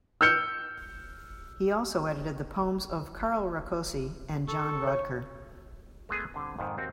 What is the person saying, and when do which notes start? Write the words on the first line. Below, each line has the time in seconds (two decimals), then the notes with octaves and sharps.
He also edited the poems of Carl Rakosi and John Rodker.
0.21 E6 F6 G6 C#7
4.48 A4 C#6
4.87 C#5
6.09 G#3 A3 B3 G#4
6.34 D3 G3 C4
6.59 F2 G#2 D#3
6.77 D#2 C4 F#4